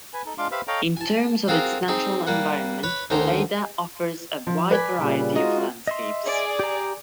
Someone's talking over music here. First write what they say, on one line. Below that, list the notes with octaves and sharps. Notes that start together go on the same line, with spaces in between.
In terms of its natural environment, Lleida offers a wide variety of landscapes.
B4 G#5
D#4 A4
G#3 D4 F4 F5 C6 D6
G4 B4 C5 E5 F5 B5
A4 C#5 D#5 F5 G5 A#5
G#5 A5
C4 F4 F#4 G#4 A#4
C4 D#4 G#4
G3 A#3 F#5
B4 C#5 B5
D2 D#3 C#4 C5 A#5 C6
F3
B4 D5 G#5 B5
A#2 C#3 G3
G#3 D#4 F4 F#4 D#5
D#5 E5 C6
G#4 D5
G4 A#5